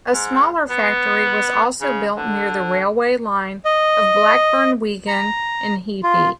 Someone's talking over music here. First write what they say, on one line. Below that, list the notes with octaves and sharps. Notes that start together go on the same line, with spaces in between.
A smaller factory was also built near the railway line of Blackburn-Wigan in Heapey.
G#2
B3
C#3
D3
D#5
A#5
F4